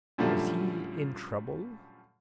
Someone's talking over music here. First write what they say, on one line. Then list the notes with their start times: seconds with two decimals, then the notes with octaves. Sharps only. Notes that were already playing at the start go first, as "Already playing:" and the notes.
Is he in trouble?
0.18 F#2 A#2 D3 F3 G3 A3